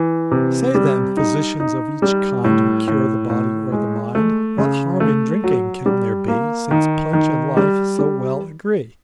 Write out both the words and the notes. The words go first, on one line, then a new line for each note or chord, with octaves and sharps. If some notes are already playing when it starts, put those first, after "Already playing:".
'Say, then, physicians of each kind, Who cure the body or the mind, What harm in drinking can there be, Since punch and life so well agree?'
Already playing: E3
C3
G3
D#4
D#4
G3
A2
A2
A2
G#3
A3
C#3
A3
F#3
G3
A#3
D#3
D#3
G3
G3